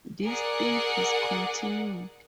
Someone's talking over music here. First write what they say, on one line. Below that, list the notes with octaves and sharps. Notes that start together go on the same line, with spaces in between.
This theme has continued.
G#4 A#4 D5 F#5